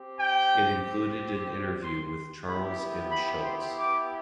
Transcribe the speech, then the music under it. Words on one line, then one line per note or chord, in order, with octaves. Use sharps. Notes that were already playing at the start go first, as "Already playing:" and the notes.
It included an interview with Charles M. Schulz.
Already playing: C4 G4
G5
C6
B3 E4 G4 B5
B5
C6
D6